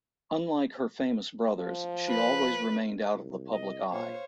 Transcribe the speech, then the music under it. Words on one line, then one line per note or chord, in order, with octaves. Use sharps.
Unlike her famous brothers, she always remained out of the public eye.
F3
B4
C2
D#5
A#2 C5 C#5 F5